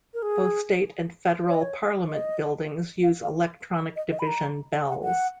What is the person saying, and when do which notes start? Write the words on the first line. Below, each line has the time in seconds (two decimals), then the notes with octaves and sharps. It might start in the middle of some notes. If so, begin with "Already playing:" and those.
Both State and Federal Parliament buildings use electronic division bells.
0.14 A#4
0.22 G#4
1.47 C#5
1.54 D#5
1.61 C#5
2.08 D#5
3.03 F5
3.22 F5
3.96 D#5
4.12 D#5
4.19 B5
4.27 A#5
4.89 F#5
5.04 F#5